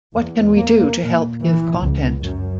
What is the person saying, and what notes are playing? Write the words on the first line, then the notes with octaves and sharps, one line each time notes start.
What can we do to help give content?
E2
A#3
A#2
E3
C#2
F#2